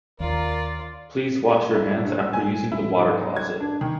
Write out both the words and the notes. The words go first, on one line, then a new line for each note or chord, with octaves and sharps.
Please wash your hands after using the water closet.
D#2 F4 A#4 D5
E4
G2
E6
G#5
E4
G#2
F#3
G#6
D4
D#3